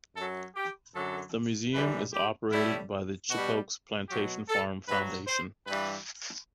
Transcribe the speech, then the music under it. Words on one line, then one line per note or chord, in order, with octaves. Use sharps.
The museum is operated by the Chippokes Plantation Farm Foundation.
F#2 F#3 A4
G4
F#2 D3 F#3 A4
F#2 E3 G3 B4
G4
A2 G3 E4
B2 G3 F#4
B2 F#3 G4
A4
G2 F#3 B4
C5
G2 E3 G3 B4